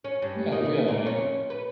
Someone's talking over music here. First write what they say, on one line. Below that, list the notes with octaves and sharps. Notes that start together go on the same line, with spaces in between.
Yeah, yeah, yeah.
C#4
G2
D#3
B3
A#2
C#4
B4